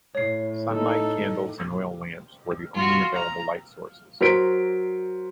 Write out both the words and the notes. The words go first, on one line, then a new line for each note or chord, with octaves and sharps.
Sunlight, candles and oil lamps were the only available light sources.
A2 C#5 C7
D#4 A4
F4 F#4
A#5
F#3 A#4 C5 B6 D7